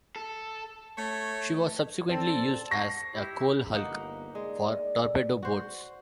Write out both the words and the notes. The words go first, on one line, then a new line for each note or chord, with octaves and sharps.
She was subsequently used as a coal hulk for torpedo boats.
A4
A3 C#5
C4 A4 D5 A5
F#5 C#6 A#6 C7
E4 G4
G1 A#3 D#4 F#5
G#3 D5
F#4 C5